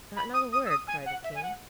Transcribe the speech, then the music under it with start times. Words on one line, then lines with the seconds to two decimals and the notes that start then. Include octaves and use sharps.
"Not another word!" cried the king.
0.16 B5
0.34 D#6
0.53 D#6
0.66 E6
0.70 D#6
0.88 G#5
1.06 F#5
1.24 E5
1.35 G#5
1.43 F#5